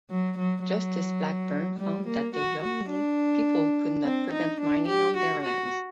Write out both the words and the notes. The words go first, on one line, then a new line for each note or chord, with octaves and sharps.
Justice Blackburn found that the Yolngu people could not prevent mining on their lands.
F#3
F#3
F#3
G3
A#3
F#4
F#4
D4
C4
D#4
D4
G4
F#4
F#4